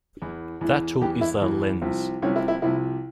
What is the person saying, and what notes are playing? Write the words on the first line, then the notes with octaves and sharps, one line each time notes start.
That tool is the "Lens".
E2 E3
E2 E3
E2 E3 G4
E4
E2 E3
C2 C3 F3
C2 C3 F3 C#4
E4
E4
C2 C3 F3 E4